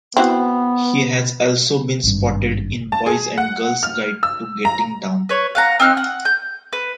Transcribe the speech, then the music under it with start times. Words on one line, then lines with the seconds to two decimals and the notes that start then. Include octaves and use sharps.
He has also been spotted in Boys and Girls Guide To Getting Down.
0.17 B3 C4 E4 F#4
2.04 G#1 G2
2.92 A5
3.06 G#4
3.38 F#5
3.83 F6
4.23 E6
4.65 A#5
5.29 B4 C#5
5.55 F5 F#5 A#5
5.80 C4 D#4 F6 F#6
5.97 F#5
6.25 G6
6.73 B4